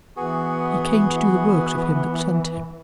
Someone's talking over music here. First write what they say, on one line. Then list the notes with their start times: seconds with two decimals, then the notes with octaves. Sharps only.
He came to do the works of him that sent him.
0.17 E3 B3 F#4 G#4